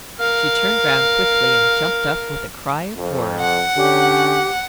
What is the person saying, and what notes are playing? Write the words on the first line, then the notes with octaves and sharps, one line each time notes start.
She turned round quickly and jumped up with a cry of horror.
A#4 F5
F2
F#5
D3 C#4 G4